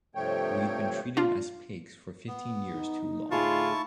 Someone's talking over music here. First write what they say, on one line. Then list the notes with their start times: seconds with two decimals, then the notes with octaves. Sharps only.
We’ve been treated as pigs for fifteen years too long.
0.15 G2 C3 F3 A3 C#5 G5
1.17 D4 F4
2.28 B3
2.70 D#4
3.31 D2 A2 E4 F4 G#4 A5 C#6